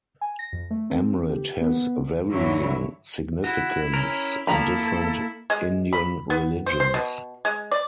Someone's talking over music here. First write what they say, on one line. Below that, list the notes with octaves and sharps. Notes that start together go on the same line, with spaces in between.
Amrit has varying significance in different Indian religions.
G#5
A#6
F2
A3
C4
G4
B3
G2 D3 E3 F#3 E4 C#5
E4 F#4
C#4 A#4
F3 A#3 E4 A4 A#5 B5
G#3
B5
B3
C5
C5
B2
G#3
D5